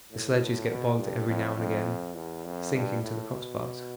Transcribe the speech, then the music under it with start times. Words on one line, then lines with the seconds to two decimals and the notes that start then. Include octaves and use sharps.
The sledges get bogged every now and again, sinking to the crossbars.
0.11 A2
0.70 B2
0.98 G2
1.28 F2
1.56 F2
2.14 E2
2.45 F2
2.73 G2
3.02 A2
3.31 B2